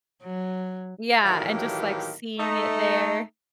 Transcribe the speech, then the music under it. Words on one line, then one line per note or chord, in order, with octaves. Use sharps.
Yeah, and just like seeing it there.
F#3
A2 D#3 E3 F#3 A#3 G4
A3 D#4